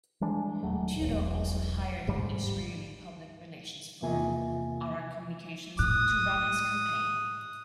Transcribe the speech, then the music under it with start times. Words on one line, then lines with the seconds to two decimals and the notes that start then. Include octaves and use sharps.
Tudor also hired an Israeli public relations firm, Arad Communications, to run his campaign.
0.21 E3 G3 G#3 D4
0.63 D#1 G#1 F#3 A3
1.00 E1 B1
2.07 G#1 D2 G#2 G3
4.02 E2 C3 A#3 F4 E5 G#5
5.79 A2 D#6 F#6